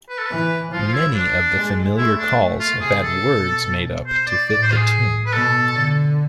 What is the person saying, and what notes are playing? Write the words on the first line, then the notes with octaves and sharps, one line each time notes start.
Many of the familiar calls have had words made up to fit the tune.
B4
A4
E3 B4
F3 F4
F4
E4
D4
G#3
A3 E4
D4
A3
F4
C3 G#4
A4
B2
C5
D5
A2 D5
C5
F4
G#4
B4
B2 A4
D3